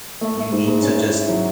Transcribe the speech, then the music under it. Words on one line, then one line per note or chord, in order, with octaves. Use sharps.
you need to just
A3
A3
G#2
G#2
C#4
E4
E4
F#3